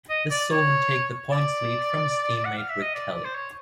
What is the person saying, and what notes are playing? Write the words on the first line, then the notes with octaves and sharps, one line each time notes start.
This saw him take the points lead from his team mate Rick Kelly.
D#5
D5
C#5
D5
F#5
F5
E5
D#5
D5
D5
C5
C#5